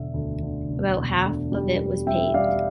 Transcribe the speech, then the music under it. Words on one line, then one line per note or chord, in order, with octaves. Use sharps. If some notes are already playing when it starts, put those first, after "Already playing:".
About half of it was paved.
Already playing: E1 D3 E5
D2
D3
E1
E1
D3
G3
G3
G3 E5 G5
G3 D5 F5